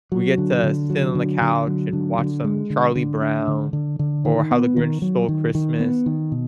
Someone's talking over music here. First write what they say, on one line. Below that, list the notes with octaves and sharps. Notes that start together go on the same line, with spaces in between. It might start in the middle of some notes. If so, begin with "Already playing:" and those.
we get to sit on the couch and watch some Charlie Brown or How the Grinch Stole Christmas.
F#3
D3
D3
F#3
D3
D3
F#3
D3
D3
G#3
D3
D3
D4
D3
D3
D3
D#3
B3
D#3
F#3
D#3
D#3
B3
D#3
B2